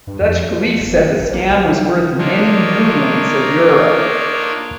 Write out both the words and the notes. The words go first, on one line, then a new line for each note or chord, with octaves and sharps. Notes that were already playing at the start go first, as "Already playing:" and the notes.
Dutch police said the scam was worth 'many millions of euro'.
G2
F2
F3
F#1
G2
A1
A#3
C2
E4
A#3 D4 D#4 F4 C#5